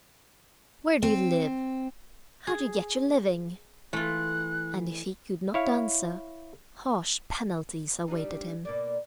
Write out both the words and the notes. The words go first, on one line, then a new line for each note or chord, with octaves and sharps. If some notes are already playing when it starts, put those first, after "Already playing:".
"Where do you live? How do you get your living?" And if he could not answer, harsh penalties awaited him.
C4
G#4
E3 A3 F4 F#6
E4 C#5 F5
G3 D4 D#4
B2 A#3 D5